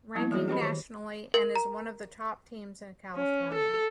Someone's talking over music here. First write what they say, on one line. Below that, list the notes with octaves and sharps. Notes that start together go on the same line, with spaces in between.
Ranking Nationally and is one of the top teams in California.
F3 G3 A#3 B3 E4
E3 F#3 G3 F#4 G#4 C#5
G4 B4 D#5 B5
D#3 C#5
A#4
A#5
C#4
A4